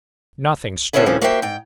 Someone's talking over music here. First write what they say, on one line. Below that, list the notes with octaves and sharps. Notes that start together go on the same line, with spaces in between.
Nothing stirred.
D3 C4 C#4 E4 G#4 B4
A#2 D#3 F3 G3 C4 C#4
A#3 F#4 G4 C5 E5 G5
G#2 G5